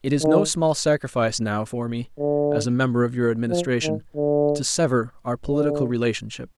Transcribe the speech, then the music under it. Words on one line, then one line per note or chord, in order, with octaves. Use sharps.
It is no small sacrifice now for me, as a member of your Administration, to sever our political relationship.
D#3
D3
F3
D#3
D3
D3